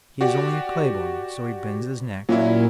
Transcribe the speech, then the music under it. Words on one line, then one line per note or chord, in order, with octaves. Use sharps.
He is only a clay-born; so he bends his neck.
F#4 G4 D5
A#2 F#3 C#4 E4